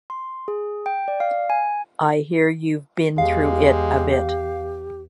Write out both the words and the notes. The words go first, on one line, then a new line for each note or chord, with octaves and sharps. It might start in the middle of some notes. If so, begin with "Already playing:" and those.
I hear you've been through it a bit.
C6
G#4
G5
D5
F5
G#5
E2 G#3 G4 F5